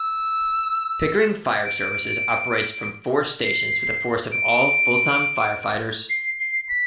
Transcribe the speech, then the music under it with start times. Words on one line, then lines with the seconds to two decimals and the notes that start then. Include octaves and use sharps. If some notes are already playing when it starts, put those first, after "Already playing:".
Pickering Fire Services operates from four stations with a force of all full-time firefighters.
Already playing: E6
1.66 D7
3.44 C7
4.32 D7
6.10 C7
6.40 C7
6.69 B6